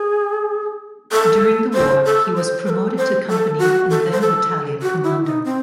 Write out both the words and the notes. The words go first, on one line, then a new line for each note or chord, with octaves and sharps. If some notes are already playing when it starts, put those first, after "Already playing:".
During the war he was promoted to company and then battalion commander.
Already playing: G#4
A4
C5
A4
C5
C5
A4
C5
A4
F#4
A4
C5
A4
F#4
E4
D#4
C4